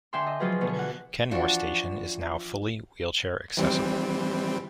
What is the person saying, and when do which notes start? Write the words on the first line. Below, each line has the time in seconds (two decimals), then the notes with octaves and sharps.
Kenmore station is now fully wheelchair accessible.
0.13 D3 D4 E5 G5 G#5 C6
0.27 D#5
0.40 C#3 F3 F#3 F4 G#4 B4
0.61 B2 D3 B3
0.76 E3 F#5
1.31 E3 F3 D4 F#4
3.57 E3 G3 C4